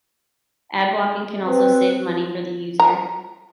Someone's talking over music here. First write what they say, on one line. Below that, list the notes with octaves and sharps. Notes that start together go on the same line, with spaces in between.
Ad blocking can also save money for the user.
C4 B4
A#5